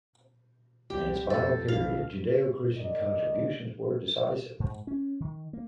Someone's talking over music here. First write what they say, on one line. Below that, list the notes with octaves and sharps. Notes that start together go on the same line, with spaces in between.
In its final period, Judeo-Christian contributions were decisive.
C2 F#3 G4
F1 F2 A4
A#1 B2 F5
D#3 A#4 D5 D#5
G#2
C#4
D#3
A#3